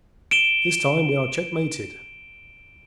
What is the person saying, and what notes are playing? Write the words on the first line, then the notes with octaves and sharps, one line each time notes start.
"This time we are checkmated."
D7 E7 G7